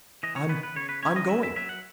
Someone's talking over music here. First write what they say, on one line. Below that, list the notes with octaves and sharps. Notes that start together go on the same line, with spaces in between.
I'm--I'm going!
E3 D#5
C#5
B3 B4
B4
C#3 C#5
B4
C#4 C#5
D#5
F#3 E5
E5
F#3 E5
F#5